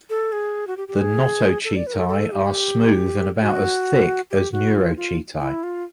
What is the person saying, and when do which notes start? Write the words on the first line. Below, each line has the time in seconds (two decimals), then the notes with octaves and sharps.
The notochaetae are smooth and about as thick as neurochaetae.
0.10 A4
0.32 G#4
0.67 F#4
0.77 G4
0.88 G4
0.98 G#4
1.64 A4
1.75 D5
1.87 B4
1.93 A#4
1.98 A4
2.09 A4
2.32 G4
3.41 F#4
4.31 G4
4.53 F#4
4.75 F4
4.97 F4
5.41 E4
5.63 F4